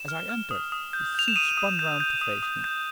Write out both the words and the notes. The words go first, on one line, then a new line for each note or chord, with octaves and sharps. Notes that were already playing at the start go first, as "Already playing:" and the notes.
As I entered, his seat spun round to face me.
Already playing: E7
F6
F6
D#6
D#6
G6
G6 F7
E7
D#6 D#7
D#6
G6
G6
D#6
D#6
G6